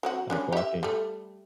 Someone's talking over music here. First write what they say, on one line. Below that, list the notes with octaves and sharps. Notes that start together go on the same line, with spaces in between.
like walking.
F#3 C4 F#4
G3 C#4 D4
G4 E5
G3 A3